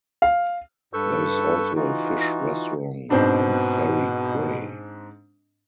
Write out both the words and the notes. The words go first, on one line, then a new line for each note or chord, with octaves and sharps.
There is also a fish restaurant on Ferry Quay.
F5
G2 A4 B4 C#6 E6 G6
E3 D#4 F4 F#4
G#2 B2 C4 D4